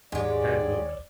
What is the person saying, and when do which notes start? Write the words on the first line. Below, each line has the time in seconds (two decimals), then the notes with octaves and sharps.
Tad looked.
0.12 D#2 G#2 G#3 G4 C#5 D5